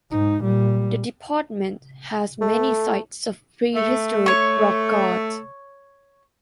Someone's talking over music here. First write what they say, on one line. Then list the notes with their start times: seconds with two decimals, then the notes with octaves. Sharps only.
The department has many sites of prehistoric rock art.
0.10 G#2 D#4
0.41 A#2 G3
2.41 A3
3.75 A3
4.26 C#5 C#6